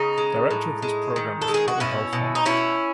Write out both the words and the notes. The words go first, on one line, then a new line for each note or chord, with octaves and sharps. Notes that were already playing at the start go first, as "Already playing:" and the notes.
Director of this program is Tally Helfont.
Already playing: C#3 D#4
G#3
A2
G#3
D#3
A4
G#3
G#4
F#4
B2 C#4 E4
B2
D#4
B2 C#4 E4